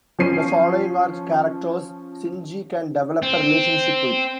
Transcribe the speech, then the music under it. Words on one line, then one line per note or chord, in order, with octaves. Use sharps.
The following are characters Shinji can develop a relationship with.
F3 C#4 C7 D#7
C4